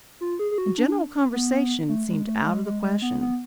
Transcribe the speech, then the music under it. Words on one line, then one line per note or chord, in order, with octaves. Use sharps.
And general conversation seemed out of the question.
F4
G#4
G#4
F#4
D4
B3
A3
G#3
A3
G#3
G#3
G#3
B3
B3